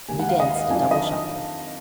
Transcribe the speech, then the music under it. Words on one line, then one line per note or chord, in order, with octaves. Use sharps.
And he danced a double shuffle.
D#2 D#3 G#3 G#5
F#5
F5
D#5
F5
F2 D#3 F#3 D4 F4 G#5
F5
D#5